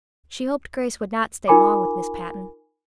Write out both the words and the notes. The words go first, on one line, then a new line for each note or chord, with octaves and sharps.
She hoped Grace would not stay long with Miss Patten.
D#4 F4 A#4 G#5 B5 D6